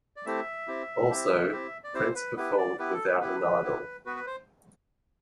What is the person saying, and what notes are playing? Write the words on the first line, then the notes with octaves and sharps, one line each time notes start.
Also, Prince performed without an Idol.
D5
A3 C4 E4 G4 E5
C4 E4 G4
C4 E4 G4
C4 E4 G4
D5
C4 E4 G4 C5
B4
B3 E4 G4 B4
D5
B3 E4 G4 B4
A4
B4
B3 E4 G4 B4
B3 E4 G4
B3 F#4 B4
B4
C5